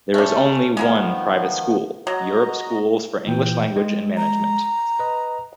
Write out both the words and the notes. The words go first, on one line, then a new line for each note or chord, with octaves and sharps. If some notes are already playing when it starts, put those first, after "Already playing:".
There is only one private school, Europe Schools for English Language and Management.
G3 A3 C#4
D#3 F3 G#3 B3 E4 A#4
F#3 F#4 D#5 A#5
A#2 E3 G5
G#3
A#5
B4 D#5